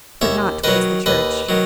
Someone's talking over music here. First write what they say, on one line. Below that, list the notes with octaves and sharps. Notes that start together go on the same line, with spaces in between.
But not towards the church.
D#2 C#5 E5
D#3 F#3 B4 D#5
D#2 B4 D#5
D#3 F#3